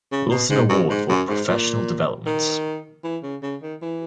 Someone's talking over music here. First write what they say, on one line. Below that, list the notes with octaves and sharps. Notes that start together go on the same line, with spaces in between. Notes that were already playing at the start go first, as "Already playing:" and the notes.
Wilson Award for Professional Development.
C#3
B2
G#2
F#2
G#2
F#2
G#2
A#2
D#3
E3
C#3
C#3
D#3
E3